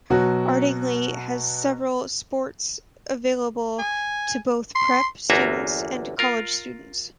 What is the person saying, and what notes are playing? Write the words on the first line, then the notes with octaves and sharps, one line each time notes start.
Ardingly has several sports available to both prep students and college students.
B2 F#3 F#4
G#5
C6
G1 E2 A#3 F4 F#4 E5
F4 A#4